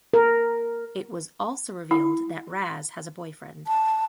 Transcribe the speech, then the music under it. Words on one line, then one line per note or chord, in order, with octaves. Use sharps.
It was also revealed that Raz has a boyfriend.
A#4
E4
A5